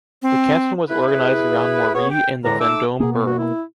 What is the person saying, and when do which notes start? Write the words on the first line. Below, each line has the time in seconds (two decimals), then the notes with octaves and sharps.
The canton was organized around Morée in the Vendôme borough.
0.22 C4
0.88 E4 B4
1.07 E4 G#4 B4
1.94 B3 G#4 C#5
2.10 G5
2.43 E2 A2 D3 G#3 D4 A#5
2.60 A3 D#4 D6 E6
3.00 B2 A#3 G#4
3.12 B3
3.26 F#4
3.39 E4